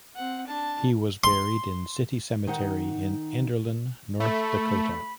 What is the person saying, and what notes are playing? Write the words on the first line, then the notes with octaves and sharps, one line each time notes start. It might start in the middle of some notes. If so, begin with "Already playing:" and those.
He was buried in City Cemetery at Enderlin, North Dakota.
C4 F#5
D4 A5
C6
D#3 D#4 F#5
A3 B5